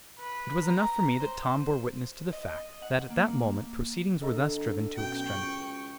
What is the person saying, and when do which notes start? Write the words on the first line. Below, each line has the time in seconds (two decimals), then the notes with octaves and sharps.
It was enough for me that Tom bore witness to the fact that at that moment proceedings were thus driven to extremity.
0.19 B4
0.64 A#5
1.20 C5
2.33 D#5
2.82 F#5
3.10 A#3
4.22 D3 A4 D#5 A#5
4.97 F#2 B2 G5
5.29 C#2 C#6 F#7